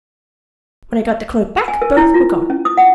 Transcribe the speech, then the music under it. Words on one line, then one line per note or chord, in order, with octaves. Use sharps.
When I got the cloak back both were gone.
G#5
A#4
E4
F4
C#4
D#6
F#5